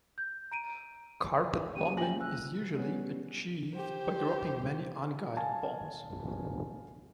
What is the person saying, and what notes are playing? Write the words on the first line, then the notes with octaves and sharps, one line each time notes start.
Carpet bombing is usually achieved by dropping many unguided bombs.
G6
A#5 D7 D#7
F#1 G4 G#4 G5 D#7
F4 G5 G#5 A#6 F#7
E6 F#6
G3 B3 C#4
G4 C5
F5 G#5 A5